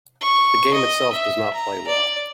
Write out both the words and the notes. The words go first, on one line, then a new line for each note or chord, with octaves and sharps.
The game itself does not play well.
C#6
D#5
E5
A#5
D5